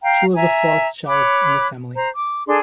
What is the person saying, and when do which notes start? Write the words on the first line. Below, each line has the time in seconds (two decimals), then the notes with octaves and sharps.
She was the fourth child in the family.
0.03 F5 G5 A#5
0.35 E5 G#5 A#5
1.08 C#5 B5 D6 F#6
1.95 C5 A#5
2.16 D6
2.47 D4 G#4 A4 C6